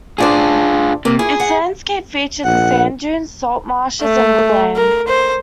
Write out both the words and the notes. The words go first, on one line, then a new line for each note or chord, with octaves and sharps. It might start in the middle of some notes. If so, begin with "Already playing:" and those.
Its landscape features sand dunes, salt marshes and woodland.
A2 D4 F4 G#4 C5
C3 A#3
E4 G#4
F#5
A#1 F#5
A3
A#4
C5